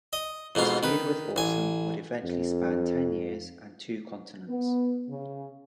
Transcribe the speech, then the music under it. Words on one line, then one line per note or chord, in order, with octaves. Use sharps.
His feud with Awesome would eventually span ten years and two continents.
D#5
F2 G#2 B2 F4
D#3 B4
A1 G#5
F2
B3
C#3